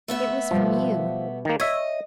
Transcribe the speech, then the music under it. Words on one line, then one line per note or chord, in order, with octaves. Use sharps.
It was from you!
A3 B3 E5
B2 F3 G3
D#3 A#3
C#5 D#5 E5